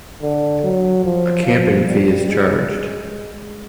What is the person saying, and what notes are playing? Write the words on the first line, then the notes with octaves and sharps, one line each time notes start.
A camping fee is charged.
D3
F#3
F3
F3
G3
G#3
G#3